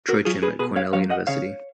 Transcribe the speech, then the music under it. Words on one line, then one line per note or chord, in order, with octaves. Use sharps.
Trochim at Cornell University.
F#4 A#4
F#3 F4 G#4
G#4 B4
B2 G#4 B4
C#5 F5
F#3 C#5 F5
D#5 F#5
C#3 C#5 F5